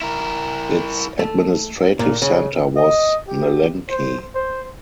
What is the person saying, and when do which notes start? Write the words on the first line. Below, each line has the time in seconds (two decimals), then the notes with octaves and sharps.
Its administrative centre was Melenki.
0.02 E4 A#4
1.19 A3
1.99 A#2
2.22 C#3
2.77 D#5
3.28 G4
3.89 C5
4.35 C5